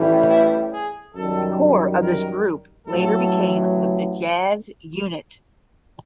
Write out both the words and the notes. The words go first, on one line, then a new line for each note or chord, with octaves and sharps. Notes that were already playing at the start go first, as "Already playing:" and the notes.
The core of this group later became the ""Vityaz"" unit.
Already playing: A1 A2 E3 G3
E4
G#4
F#2 D#3 G3 A4
A#4
A1 A2 F#3 A4